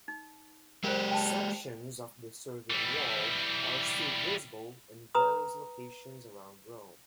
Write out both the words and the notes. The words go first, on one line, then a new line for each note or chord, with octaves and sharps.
Sections of the Servian Wall are still visible in various locations around Rome.
D#4
G#3 G4 A#4 C5
G5 A5
E3 G3
B4 A#5 B5 D#6